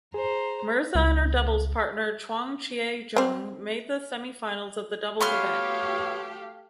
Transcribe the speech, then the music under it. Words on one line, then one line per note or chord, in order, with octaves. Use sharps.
Mirza and her doubles partner Chuang Chia-jung made the semifinals of the doubles event.
G#4 C5 A#5
C#2
C4 C5
A3 B3 F#4 G4 C#5 F5 C6 F6